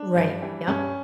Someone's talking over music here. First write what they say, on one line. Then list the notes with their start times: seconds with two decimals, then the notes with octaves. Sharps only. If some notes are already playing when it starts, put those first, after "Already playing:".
Right, yup,
Already playing: D4
0.16 G2
0.42 E3 G3
0.68 G2 C#4